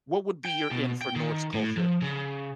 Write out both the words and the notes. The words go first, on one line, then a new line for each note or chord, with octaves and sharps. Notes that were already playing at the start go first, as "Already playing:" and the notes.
what would be your in for Norse culture?
G5
B2
G5
D#3
A2
F3
C#3